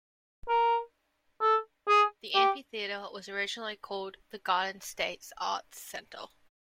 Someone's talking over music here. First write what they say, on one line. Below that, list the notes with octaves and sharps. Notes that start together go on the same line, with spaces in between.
The amphitheatre was originally called the Garden State Arts Center.
A#4
A4
G#4
G4